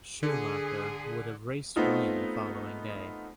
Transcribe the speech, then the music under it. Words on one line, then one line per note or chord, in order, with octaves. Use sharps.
Schumacher would have raced Blaine the following day.
D3 G#4
A3 B3 C4 D#4 F4